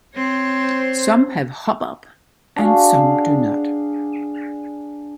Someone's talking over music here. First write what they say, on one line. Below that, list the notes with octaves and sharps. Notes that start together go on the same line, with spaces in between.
Some have hop-up and some do not.
C4 C5 C#5
D4 F#4 G#4 F5